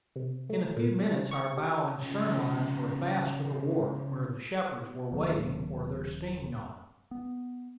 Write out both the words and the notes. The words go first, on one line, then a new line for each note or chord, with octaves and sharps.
In a few minutes our bow and stern lines were fast to the wharf where the Shepards were waiting for their steam-yacht.
C3
A3
A#2
G3
C#6
G4
C#3 F3
D#1 D#3 F#3 A#3
B3